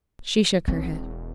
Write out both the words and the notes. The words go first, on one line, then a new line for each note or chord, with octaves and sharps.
She shook her head.
B1 C4
E1